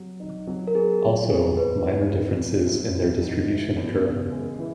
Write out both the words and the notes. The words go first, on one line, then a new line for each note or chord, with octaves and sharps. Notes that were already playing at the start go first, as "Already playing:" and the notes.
Also, minor differences in their distribution occur.
Already playing: F#3
D#4
F#3
A#4
B3 G#4
F#3
B3 G#4
F#2 B4
E3
D#4
B3
F#2
E3 F#4
D#4
E3
E2
C#3
G#3
E3